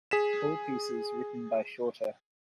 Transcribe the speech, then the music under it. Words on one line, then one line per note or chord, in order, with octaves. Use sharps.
All pieces written by Shorter.
G#4 B6 E7